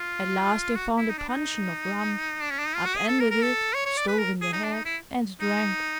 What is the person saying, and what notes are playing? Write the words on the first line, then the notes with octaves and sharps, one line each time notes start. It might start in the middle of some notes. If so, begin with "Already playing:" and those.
At last they found a puncheon of rum, upended it, stove in the head, and drank.
Already playing: F4
F#4
E4
D#4
D4
D#4
D4
C#4
D4
D#4
F4
F#4
G#4
A4
A#4
A#4
A4
C#5
C#5
D5
B4
A#4
G#4
D#4
D4
D#4
E4
D#4